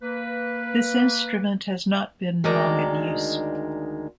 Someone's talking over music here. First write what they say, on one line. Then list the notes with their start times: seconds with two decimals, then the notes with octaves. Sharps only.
This instrument has not been long in use.
0.02 A#3 B4
2.44 D2 D#3 G#3 D5 A#5